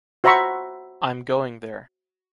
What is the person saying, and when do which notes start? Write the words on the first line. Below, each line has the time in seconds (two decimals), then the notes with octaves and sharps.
I’m going there.
0.24 F#4 C5 E5 A#5 B5 C#6